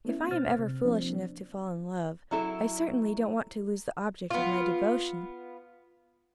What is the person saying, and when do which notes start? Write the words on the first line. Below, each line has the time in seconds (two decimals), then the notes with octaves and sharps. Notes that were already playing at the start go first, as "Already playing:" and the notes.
"If I am ever foolish enough to fall in love, I certainly don't want to lose the object of my devotion."
0.05 A3 B3 C#4 E4
0.31 B2 C5 F6 A6
0.59 C3
0.84 F3 A#3 C4 D4
2.31 F#3 E4 A4
4.30 B3 F4